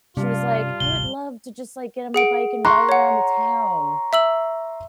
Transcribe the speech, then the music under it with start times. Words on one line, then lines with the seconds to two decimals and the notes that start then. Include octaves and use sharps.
she was like, "I would love to just, like, get on my bike and ride around the town."
0.17 G2 C3 C#4 F4
0.80 D1 G#1 C3 G7
2.14 G#4 F#5 D7
2.65 A#5 C6 C#6 F#6
2.89 C#5 F#5
4.13 E5 E6 F#7